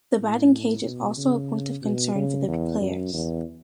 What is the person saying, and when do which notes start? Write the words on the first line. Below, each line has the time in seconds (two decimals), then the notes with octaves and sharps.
The batting cage is also a point of concern for the players.
0.19 A2
0.84 B2
1.17 C#3
1.82 B2
2.15 C#3
2.47 E2
2.80 F#2
3.13 E2